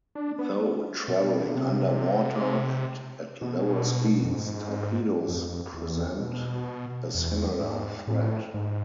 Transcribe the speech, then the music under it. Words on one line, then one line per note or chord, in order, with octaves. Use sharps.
Though traveling under water and at lower speeds, torpedoes present a similar threat.
D4
B3
B2
D3
C3
B2
F2
G#2
F2
E2
B2
E2
G#2
A2
G#2